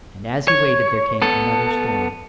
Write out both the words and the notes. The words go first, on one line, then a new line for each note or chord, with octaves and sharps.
And as he waited, there came another storm.
C#5
B3 A4